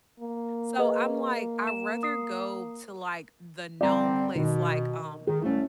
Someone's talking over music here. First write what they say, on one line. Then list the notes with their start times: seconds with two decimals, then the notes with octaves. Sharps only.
so I'm like, "I'd rather go to, like, the known place." like, um
0.20 A#3
0.78 G#4 B4 D#5
1.67 E7
2.03 D#6 C7
3.81 D3 G3 C4 D5 A#5
4.35 B2 D#3
5.27 D#3 G#4
5.42 C2 A3 C#4 E4